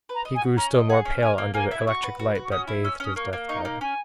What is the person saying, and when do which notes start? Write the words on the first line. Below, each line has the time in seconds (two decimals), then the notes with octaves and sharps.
He grew still more pale under the electric light that bathed his deathbed.
0.09 B4
0.15 A#5
0.25 D#5
0.35 G#5
0.41 F#4
0.57 C#4 A#5
0.74 D#5
0.90 G#4 F#5
1.05 C#4
1.22 A#4 G#5
1.38 A#3
1.54 A#3 G#5
1.71 E4
1.87 F#4 C#6
2.03 B4
2.19 F#4
2.35 F#4
2.45 C#6
2.51 C#4 D#6
2.67 E4
2.84 C#4 E6
3.00 C#4
3.05 D#6
3.16 A#3 C#6
3.33 A#3
3.48 D#4 C#6
3.65 A#3
3.81 C#4 G#5